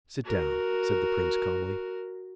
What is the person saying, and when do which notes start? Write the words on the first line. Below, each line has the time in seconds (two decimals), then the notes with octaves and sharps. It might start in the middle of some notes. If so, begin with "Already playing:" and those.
"Sit down," said the Prince calmly.
0.25 F#4 A#4